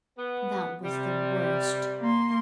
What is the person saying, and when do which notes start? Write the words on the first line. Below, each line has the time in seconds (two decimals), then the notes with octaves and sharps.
That was the worst!
0.17 B3
0.83 C3 G3
2.00 A#3 C6